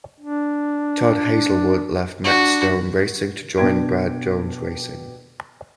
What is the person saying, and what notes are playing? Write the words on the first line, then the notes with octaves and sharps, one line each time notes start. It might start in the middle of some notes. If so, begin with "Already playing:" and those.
Todd Hazelwood left Matt Stone Racing to join Brad Jones Racing.
D4
D4 F#4
B2 D4 G5 G#6 D7